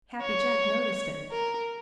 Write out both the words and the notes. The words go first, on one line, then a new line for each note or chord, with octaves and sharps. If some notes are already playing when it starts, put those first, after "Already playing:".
Happy Jack noticed it.
C#5
A#4